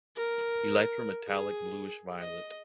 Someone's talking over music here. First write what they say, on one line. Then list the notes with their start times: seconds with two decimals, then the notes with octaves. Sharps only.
Elytra metallic bluish violet.
0.16 A#4
1.27 G#4
2.20 D#5